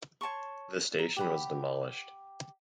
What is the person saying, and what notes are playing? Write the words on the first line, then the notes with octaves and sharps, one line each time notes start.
The station was demolished.
C#5 A5 C6 C#6
A#5
G4 F#5 B5